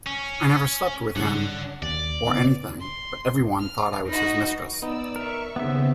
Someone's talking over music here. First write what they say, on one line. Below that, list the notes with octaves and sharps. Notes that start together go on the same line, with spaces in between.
I never slept with him or anything, but everyone thought I was his mistress.
C#4
G2 C#3 D4 F#5
D#2 D5
C#3 B3
C6
F6
D#4 F#4 B4
B3 D#4 D5 E6
A#4 E5 C#6
D#2 C#3 B3 C4 E5